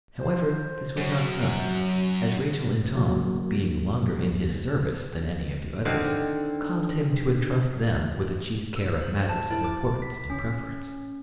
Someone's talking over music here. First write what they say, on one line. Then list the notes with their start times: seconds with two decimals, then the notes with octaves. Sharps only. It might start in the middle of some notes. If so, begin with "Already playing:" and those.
However, this was not so, as Rachel and Tom, being longer in his service than any of the others, caused him to intrust them with the chief care of matters of importance in preference.
0.19 C5
0.97 F#2 F#3
2.95 C#3 F#3 A#3
5.85 D3 D#3 C4
8.76 E6
9.01 C5
9.29 A5
9.51 E4
9.64 D6
10.02 B6
10.30 C#4